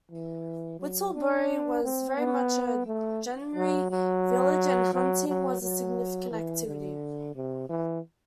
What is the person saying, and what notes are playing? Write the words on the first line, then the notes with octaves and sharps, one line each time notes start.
Whittlebury was very much a 'gentry village' and hunting was a significant activity.
E3
F#3
D4
C4
B3
A3
F#3
F#3
F#3
F#3
F#3
E3
D3
C3
E3